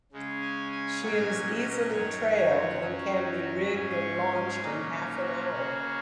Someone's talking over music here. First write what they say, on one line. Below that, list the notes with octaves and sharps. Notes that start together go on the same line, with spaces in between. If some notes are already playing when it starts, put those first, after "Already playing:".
She is easily trailed and can be rigged and launched in half an hour.
C#3 G#3 C#4
G#5
G#5
A#2 F#3 C#4 G#5
D#5
F#2 D#3 F#3 C#5
F#2 F#3 C#4 F#4
D#4
F#4
G#2 G#3 C#4 G#4
C#5
G#4
A#2 F#3 A#3 C#4 D#4
D#4
F#4
C#3 A#3 C#4